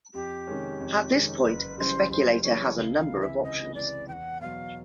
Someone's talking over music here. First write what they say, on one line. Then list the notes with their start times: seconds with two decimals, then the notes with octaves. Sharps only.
At this point, a speculator has a number of options.
0.14 F2 G4
0.47 C3 D#3 G#3 C#4
0.80 F2
1.13 C3 D#3 G#3 C#4
1.45 F#1 B4
1.78 F#2 C#3 E3 G3 C5
2.11 F#1 C5
2.43 F#2 C#3 E3 G3 C#5
2.77 C#2 F5
2.99 F#5
3.03 F5
3.10 C3 E3
3.21 E5
3.43 C#2 D#5
3.75 C3 E3 D5
4.08 E2 F#5 G5
4.41 B2 F#3 F5